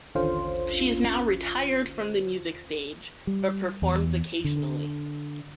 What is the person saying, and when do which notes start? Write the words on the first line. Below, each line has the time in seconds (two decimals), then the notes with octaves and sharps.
She is now retired from the music stage but performs occasionally.
0.15 A1 D#2 D3 C#4 F4 C5
3.27 G3
3.82 E2
4.44 D3